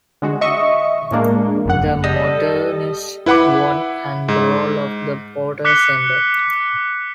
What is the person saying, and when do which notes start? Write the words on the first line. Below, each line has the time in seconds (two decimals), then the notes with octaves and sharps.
The modernists won and the role of the porters ended.
0.22 D3 G#3 F#4
0.41 D#5 E5 C#6
1.11 A2 G#3 A#3 D4
1.66 G1 F#2 F#5
2.04 G3 A4 D#5
3.26 E4 B4 F#5 B5 D6
4.28 G#2
5.65 D6 F#6 B6 C#7 G7